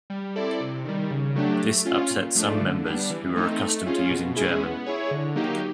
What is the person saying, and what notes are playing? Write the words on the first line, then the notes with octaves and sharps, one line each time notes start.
This upset some members who were accustomed to using German.
G3
C4 E4 A4 D5
C3
D#3 G3
C#3
F#3 A3 D4 G4
A3
C#4 F4
A#2
F3 A3 D4
D3
G3 B3 D4
E3
A3 C4 D#4
A3
C#4 F4 G#4
B2
G#3 C#4 E4 G#4
B3
E4 G#4 C#5
D3
F#3 A#3 D#4 G4